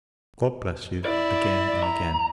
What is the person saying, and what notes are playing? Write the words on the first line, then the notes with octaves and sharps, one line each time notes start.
God bless you, again and again!
E4 D5
A#5